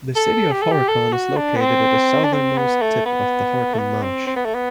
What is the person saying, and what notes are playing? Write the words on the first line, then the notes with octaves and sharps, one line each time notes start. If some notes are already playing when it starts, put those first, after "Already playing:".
The city of Horicon is located at the southernmost tip of the Horicon Marsh.
A4
G4
A4
G4
A4
F#4
D4
B3
C4
D4
C4
B3
A3
B3
A3
B3
C4
C4
B3
A3
B3